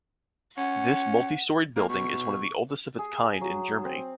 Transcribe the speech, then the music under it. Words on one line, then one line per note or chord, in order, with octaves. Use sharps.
This multi-storied building is one of the oldest of its kind in Germany.
C#4 F#5
A#3
B2 C#6
G#4
F#3
C4